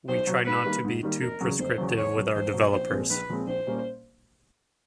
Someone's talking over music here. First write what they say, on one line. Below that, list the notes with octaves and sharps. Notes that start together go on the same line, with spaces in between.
We try not to be too prescriptive with our developers.
B1 C5
B2 F#3
G#2 B4
D#3 G3 A#3
G#2
D#3 G3 A#3
F1 A#4
E2 C#3 F#3
F1 C5
E2 C#3 F#3
E2 C#5
B2 F#3
E2 C5
B2 F#3
A#1 C5
A#2 F3 G#3 C4
A#1 B4
A#2 F3 G#3 C4
A#1 C5
A#2 G3 A#3 C#4